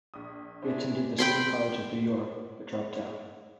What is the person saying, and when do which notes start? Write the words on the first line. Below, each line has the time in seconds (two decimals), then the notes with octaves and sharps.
He attended the City College of New York but dropped out.
0.14 A#1 D#6
0.62 D4 E4 G#4 C5 E5
1.18 G5 B5 C6